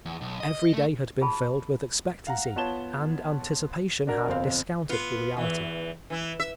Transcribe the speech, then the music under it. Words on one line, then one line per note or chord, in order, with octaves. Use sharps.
Every day had been filled with expectancy, and anticipation had discounted the reality.
E2
B1
D#5
A3
F4 G#4 A5 B5
F5 F#5 A#5
B3 F4 C#5 A5 E7 G7
D4 F#4 A#4
G1 F2 C4 F5
B3 F4
E2 E3
E3 E4
E5